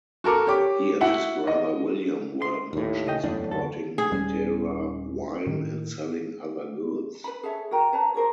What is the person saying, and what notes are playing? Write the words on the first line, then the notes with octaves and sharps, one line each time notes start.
He and his brother William were merchants importing Madeira wine and selling other goods.
F#4 A4 A#4 D6
G4 C#5 D6
E4 F#4 F#5
D#5
C6
D#2 A2
C#3 D#5 G5
F#1 E2 A2 D4
D2 A4
G#4
D#1 G3 C#4
A2 D#3
B4 B5
G#4 A4 C#5 E5
F#4 A#4 G5 A#5
B4 C#5 A5 A#5
F#4 G#4 A#4 C5